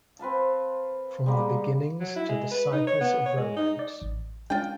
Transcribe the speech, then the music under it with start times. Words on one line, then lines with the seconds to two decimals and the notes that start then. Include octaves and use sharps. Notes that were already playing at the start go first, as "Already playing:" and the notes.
From the Beginnings to the Cycles of Romance.
0.19 C4 B4 F5 A5
1.26 G3 G#3 A#3 B3
2.00 F#3
2.16 E4
2.29 G#3
2.51 B4
2.72 D#4
2.87 C#5
3.01 B3
3.25 C#5
3.37 G#3
3.56 D#4
3.79 D5
4.01 A1
4.50 G#3 C#4 D4 F4 G5